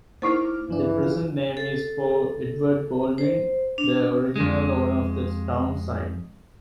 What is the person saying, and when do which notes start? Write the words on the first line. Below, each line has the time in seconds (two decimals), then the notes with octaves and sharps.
The present name is for Edward Baldwin, the original owner of the town site.
0.22 A#3 D#4 E4 C5 D6 F6
0.69 D2 G2 E3 F3 D4
1.03 F4
1.57 A4
3.18 C5
3.78 D4
4.36 F2 G#3